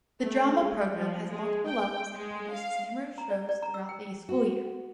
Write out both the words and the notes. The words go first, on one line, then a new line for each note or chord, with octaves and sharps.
The drama program has multiple levels and produces numerous shows throughout the school year.
A3
G#3
F3
G#3
G5
G#3
F5
A#5
D5
D5
A#5
E6
G5
F#4